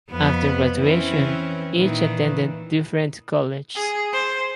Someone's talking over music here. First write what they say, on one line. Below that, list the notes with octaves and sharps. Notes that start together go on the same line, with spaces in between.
After graduation, each attended different colleges.
F2 B3 B4
E3 C4 C#4
A#2 D#3 E3
G#4
C5